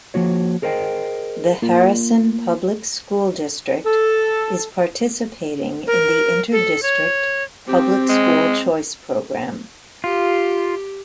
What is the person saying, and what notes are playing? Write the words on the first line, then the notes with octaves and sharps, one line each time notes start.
The Harrison Public School District is participating in the Interdistrict Public School Choice Program.
F3 A#3 F#4 C#5
G#4 A#4 C5 D#5 G5
A#3 F4
A4
A#4
A4
C#5
C4 G4
G#3
F4 G4